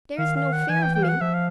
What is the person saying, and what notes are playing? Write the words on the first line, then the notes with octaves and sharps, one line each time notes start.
There's no fear of me.
D#3 F5
F5
F#5
E3 G#5
G5
G5
F5
F#5
F3 E5
F5